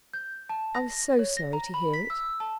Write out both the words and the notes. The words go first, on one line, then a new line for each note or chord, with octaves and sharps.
"I was so sorry to hear it."
G6
A5
A#6
C#5
A#6
A#5
B5
B6
E6
A5